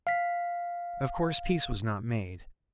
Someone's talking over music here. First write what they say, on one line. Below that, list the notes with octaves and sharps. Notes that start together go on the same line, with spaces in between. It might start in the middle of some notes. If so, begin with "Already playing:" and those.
Of course peace was not made.
F5 B6